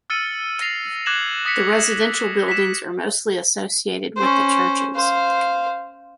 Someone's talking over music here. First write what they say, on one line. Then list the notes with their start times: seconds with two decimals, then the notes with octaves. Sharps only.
The residential buildings are mostly associated with the churches.
0.10 E6 F6 A6 C#7 D#7
0.60 A6 A#6 C7 F7
1.06 D6 F#6 G#6 A#6 E7 F#7
1.45 D#6 A#6 B6 C#7
2.48 B6 E7
4.17 C#4 C5
4.94 C5 F5